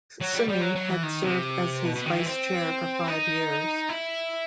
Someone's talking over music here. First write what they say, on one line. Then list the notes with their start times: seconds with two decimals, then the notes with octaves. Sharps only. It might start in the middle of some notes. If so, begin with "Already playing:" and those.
Summey had served as his vice-chair for five years.
0.21 F#3
0.34 G3
0.49 G3
0.61 F#3
0.75 F#3
0.89 E3
1.03 D#3
1.23 C3
1.85 B2
1.95 B2
2.06 D#3
2.15 E3
2.26 C4
3.08 D#4
3.89 E4